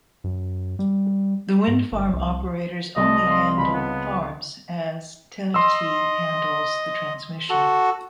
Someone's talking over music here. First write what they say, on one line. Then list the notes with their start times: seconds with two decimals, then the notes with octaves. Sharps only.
The wind farm operators only handle the farms, as TenneT handles the transmission.
0.24 F#2
0.79 G3
1.68 G#2
1.92 G1
2.13 C2
2.96 C2 C4 D#5 A5
3.27 F5 C6
3.58 C#2 B5
3.74 B3
5.54 D#5 C6 E6
7.50 F#4 A4